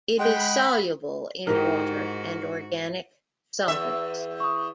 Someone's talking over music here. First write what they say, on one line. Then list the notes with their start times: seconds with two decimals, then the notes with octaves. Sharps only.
It is soluble in water and organic solvents.
0.19 G#3 F#5 G5 B5
1.47 G#2 D#4 E4 F#4 G4 A#4
3.68 E2 E5
4.40 C#6 D#6